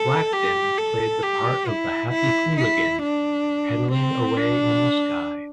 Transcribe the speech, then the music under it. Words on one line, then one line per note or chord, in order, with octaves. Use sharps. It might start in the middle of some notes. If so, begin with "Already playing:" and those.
Blackton played the part of the "Happy Hooligan" pedalling away in the sky.
Already playing: A4
G4
A4
G4
E4
E4
E4
D4
C4
D4